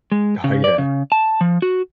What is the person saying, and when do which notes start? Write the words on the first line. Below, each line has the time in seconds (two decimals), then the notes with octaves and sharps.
Oh, yeah.
0.12 G#3
0.44 C#3
0.64 D5
0.78 C#3
1.12 A5
1.41 F3
1.62 F#4